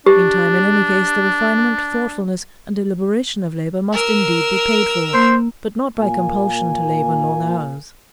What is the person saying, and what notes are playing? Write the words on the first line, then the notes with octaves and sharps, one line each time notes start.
Meantime, in any case, the refinement, thoughtfulness, and deliberation of labour must indeed be paid for, but not by compulsion to labour long hours.
D4 G4
A#4 E6
A#3 C5
A#2 A#3 G#5